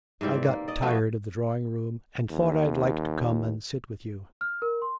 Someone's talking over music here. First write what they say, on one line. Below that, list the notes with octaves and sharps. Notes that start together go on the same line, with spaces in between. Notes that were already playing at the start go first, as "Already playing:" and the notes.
I got tired of the drawing- room, and thought I'd like to come and sit with you.
G#2 E3 G3 C4
A#3
D5 D#5
F3 A3 B3 F#4
D#2
F6
A#4
C6